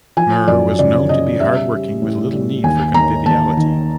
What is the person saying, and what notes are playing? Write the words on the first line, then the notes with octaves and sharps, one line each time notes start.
Muir was known to be hard working with little need for conviviality.
F3 G#5
F#2 D5
C#3 D5
C#3 D#5
G3 E5
G3
A2
G3
D#2 G#5
D#2 A#5
D#2 A5
D#3